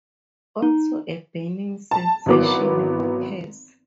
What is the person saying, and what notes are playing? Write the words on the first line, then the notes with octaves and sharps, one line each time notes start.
Also, a burning sensation occurs.
D#4
A5
G#1 E3 F#3 B3 D6